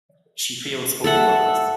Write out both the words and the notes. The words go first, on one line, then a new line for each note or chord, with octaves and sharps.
She feels for all of us.
A4 E5 F#5